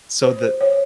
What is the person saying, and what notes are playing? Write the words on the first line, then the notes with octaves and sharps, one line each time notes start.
so the
C5
C#5